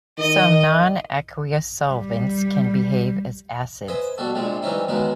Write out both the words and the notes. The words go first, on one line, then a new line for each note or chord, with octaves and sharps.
Some non-aqueous solvents can behave as acids.
D#3 D#5
G3
B4 C5 D#5 E5 G#5 C6
B2 G3 F#4 A4
A#1 C3 F3 G3 G#3
E3 G3 C4 C#4 D#4 E4
E2 D#3 F#3 G#3 B3 D#4